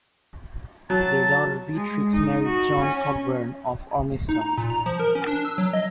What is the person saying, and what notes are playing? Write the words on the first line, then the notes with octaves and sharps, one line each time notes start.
Their daughter Beatrix married John Cockburn of Ormiston.
F#3 A5
G#3
D#4
F#4
C#4
D#4
A#5
A#2
A#5
F3
A#4
C#4
D4
E6
F#3
D#5